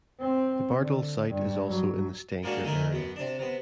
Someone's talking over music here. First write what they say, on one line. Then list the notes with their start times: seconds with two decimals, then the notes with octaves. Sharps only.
The Bardal site is also in the Steinkjer area.
0.19 C4
0.78 D3
1.28 G2
1.67 F#3
2.43 G#3 A#3 C#4 D4 F#4 G#4
2.64 D3 A3 D#4 G#4 A#4
2.92 F#2 B3
3.16 C3 D4
3.39 C3 B3